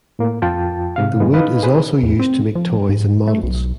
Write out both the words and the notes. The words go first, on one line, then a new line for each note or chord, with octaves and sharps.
The wood is also used to make toys and models.
A2 A#3
F2 F4 G5 A5
G#2 C3 F5
G2 E3 G#3 B3
D#4 B4 D#5 F5
G#4 B4 C5
E2
C4
F3
G#2
A3
B1